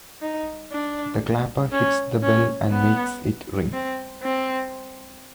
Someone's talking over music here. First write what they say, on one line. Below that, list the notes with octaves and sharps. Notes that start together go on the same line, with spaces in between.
The clapper hits the bell and makes it ring.
D#4
D4
C#4
C#4
B3
C4
C4